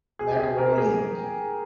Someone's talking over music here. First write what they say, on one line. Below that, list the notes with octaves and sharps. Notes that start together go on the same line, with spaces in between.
macaroni and
G#4
G4
G#4
A#4
G#4